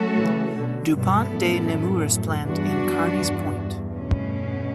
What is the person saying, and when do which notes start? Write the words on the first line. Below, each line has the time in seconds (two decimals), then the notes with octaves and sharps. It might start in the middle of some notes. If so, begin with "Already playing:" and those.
DuPont de Nemours plant in Carneys Point.
Already playing: F#3 A3 C#4 F#4 A4
0.19 C#3 E3
0.56 B2 D3
0.94 G2 B2 G3 B3 E4 A4
1.31 F#2 A2
2.43 E2 G2 E3 G3 D4 F#4
2.80 F#2
3.17 E2 G2
3.93 B2 A3 C#4